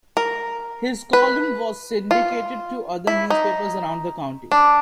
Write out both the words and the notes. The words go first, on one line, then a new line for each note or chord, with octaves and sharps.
His column was syndicated to other newspapers around the country.
A#4
B4
F4
E4
D#4
D4